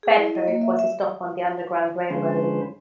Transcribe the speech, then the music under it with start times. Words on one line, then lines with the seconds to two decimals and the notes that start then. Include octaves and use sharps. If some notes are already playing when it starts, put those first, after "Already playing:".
Bedford was a stop on the Underground Railroad.
0.03 G#4
0.17 E4
0.35 D#5
0.47 A#3
0.61 E5
0.79 E5
2.10 D3 F3 G#3 C#4 B4 C5